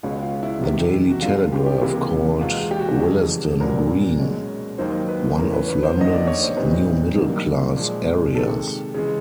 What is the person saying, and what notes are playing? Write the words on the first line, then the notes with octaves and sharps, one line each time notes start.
The Daily Telegraph called Willesden Green one of London's "new middle class" areas.
C#2 B2 G#3 C#4 F4
F4
E4
E2 C3 D#3
F#4
G2 D3 G3 B3 F4
F4
G4
G4
C#2 C3 E3 G3 A#3 F4
E2 B2 G#3 F4
G4
F#4
G4
F2 C#3 E3 G3
C2 A#2 F#3 A#4
B2 G#3 C#4
D#2 D#3 F#3 A#3 D#4 C5
B4
A2 E3 A3 C#4 A#4
B4
B4
C5
D2 D3 F3 A#3 D#4 D#5
D5
C#5
C5
A#2 G3 C4 D#4 B4
G2 D#3 F#3 A#3
A#2 F3 G#3
C3 D#3 G#3 A4
C#3 E3 G#3